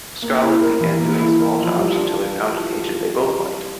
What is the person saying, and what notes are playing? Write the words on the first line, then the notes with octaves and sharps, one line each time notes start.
Scarlett began doing small jobs until they found an agent they both liked.
A#3
E4
A#4
E3
A#3
E4
A#4
F3
G3
D4